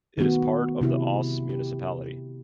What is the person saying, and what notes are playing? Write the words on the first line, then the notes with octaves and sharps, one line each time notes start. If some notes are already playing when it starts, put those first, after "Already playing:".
It is part of the Oss municipality.
D#3 A3 B3 F#4
C3 E4 G4
G4